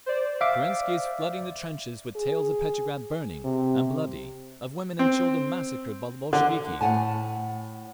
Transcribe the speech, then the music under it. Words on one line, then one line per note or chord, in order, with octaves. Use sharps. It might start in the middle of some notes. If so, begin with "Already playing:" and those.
Kerensky is flooding the trenches with tales of Petrograd burning and bloody, of women and children massacred by the Bolsheviki.
C5 D5
E5 F5 D6
G#4
C3
C4
D3
A2 F#5 G#5 A5